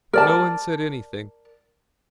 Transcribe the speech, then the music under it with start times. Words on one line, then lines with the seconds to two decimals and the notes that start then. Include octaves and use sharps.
But no one said anything.
0.13 A#4 D5 A5